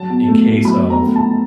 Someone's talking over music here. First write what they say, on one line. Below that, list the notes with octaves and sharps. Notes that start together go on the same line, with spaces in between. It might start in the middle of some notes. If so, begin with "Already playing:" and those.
in case of
Already playing: F#3 A5
B2
A3
B2
F#3 B5
B2
A#5
A3
A5
B2